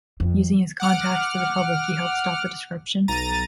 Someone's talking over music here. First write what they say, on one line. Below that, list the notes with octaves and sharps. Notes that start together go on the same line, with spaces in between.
Using his contacts to the public, he helped stop the destruction.
F2
F#5 D6 F6
B1 A#5 A6 D#7